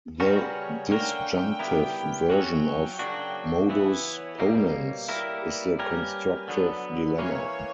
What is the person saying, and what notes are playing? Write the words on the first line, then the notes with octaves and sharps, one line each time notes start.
The disjunctive version of "modus ponens" is the constructive dilemma.
C#3 G3 C#4 F#4 A#4 B4
C#5
D3 A#3 C#4 F#4 A#4 G5
G3 B3 E4 G4 A#4
F#3 C#4 F#4 G5
C#3 F#3 A#3 D4 F#4
E3 B3 E4 F#5
C#5
B2 G3 A#3
G3 A#3 E4 A#4 B4
G3 A#3 C#4 G4 A#4
D3 F#3 B3
E3 A#3 C#4 C#5